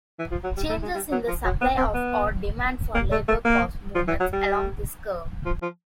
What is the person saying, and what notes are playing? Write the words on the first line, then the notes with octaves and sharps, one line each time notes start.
Changes in the supply of or demand for labor cause movements along this curve.
E3
F3
F#3
G3
A3
G#3
G3
F#3
F3
F#3
B3
C4
B3
A#3
A3
A3
A#3
F3
E3
F#3
G3
F3
F3